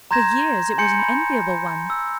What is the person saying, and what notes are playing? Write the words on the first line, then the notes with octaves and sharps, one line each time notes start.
For years it was an enviable one.
A#5 C6 G6 G#6 A#6 E7
G#5 C6 G6 C#7
B5
E6